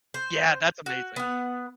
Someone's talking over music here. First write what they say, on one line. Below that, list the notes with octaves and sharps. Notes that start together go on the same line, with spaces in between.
Yeah, that's amazing.
C5
F#4
B3 F#5